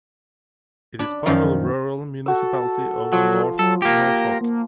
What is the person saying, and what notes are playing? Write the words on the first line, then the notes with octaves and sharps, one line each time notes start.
It is part of the Rural Municipality of North Norfolk.
D4 B5
F#2 D#3 F3 F5
F#4 A4 E6
F3 F#3
F#3 A4
A#3 G4 A#6
A#3